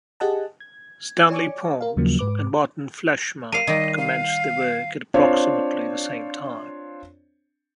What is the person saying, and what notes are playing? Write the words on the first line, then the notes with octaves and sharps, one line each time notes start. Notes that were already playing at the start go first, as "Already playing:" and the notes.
Stanley Pons and Martin Fleischmann commenced their work at approximately the same time.
G4 G#4 D#5 F#5 G#5 A5
G#6
C#5 D5 G#5 C#6 D6
A#4 F5
D#2 C#3 F3 F#3 A#3
G#2 B4 D6
A#4 F5 C7 D#7
D#3 G3 D#5
F5
C4 D4 F4 C5 C#5